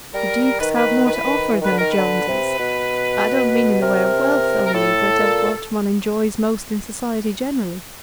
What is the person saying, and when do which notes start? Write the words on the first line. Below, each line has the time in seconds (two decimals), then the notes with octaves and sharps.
"The Dukes have more to offer than the Joneses;--I don't mean in the way of wealth only, but of what one enjoys most in society generally."
0.14 G3 A#4
0.60 D#3 B4
0.76 B4
1.06 D#3 B4
1.16 E3
1.26 D#3
1.52 E3
1.61 D#3 B4
1.71 D3
1.78 D#3 A#4
1.91 B4
1.97 D3
2.29 C3
2.59 B2
3.82 C3 A#4
4.66 A#4
4.74 A2 A4
5.19 A#2